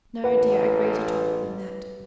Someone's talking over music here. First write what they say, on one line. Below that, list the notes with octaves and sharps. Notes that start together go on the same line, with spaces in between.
'No, dear; a greater trouble than that.
A1 B4 F#5